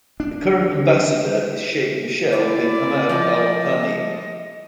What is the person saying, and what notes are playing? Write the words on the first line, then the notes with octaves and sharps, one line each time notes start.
The current ambassador is Sheikh Meshal bin Hamad Al Thani.
D4
E4 D5
F3 D#5